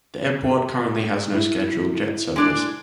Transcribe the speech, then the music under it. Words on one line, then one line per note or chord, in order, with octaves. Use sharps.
The airport currently has no scheduled jet service.
E4
G#3 D4 D5